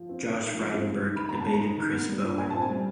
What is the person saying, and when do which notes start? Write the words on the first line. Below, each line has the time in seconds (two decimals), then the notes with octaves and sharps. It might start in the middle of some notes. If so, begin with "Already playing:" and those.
Josh Frydenberg debated Chris Bowen.
Already playing: F3
0.09 C4
0.25 A3
0.39 D#4
0.54 F3
0.71 C4
0.86 G#3
1.01 D#4
1.16 D#3 B5
1.29 B3 A#5
1.41 A5
1.47 G#3
1.53 A#5
1.62 D#4
1.77 D#3
1.92 B3
2.08 G3
2.23 A#2
2.38 A#2 G#5
2.50 C4 A5
2.62 G#5
2.70 G3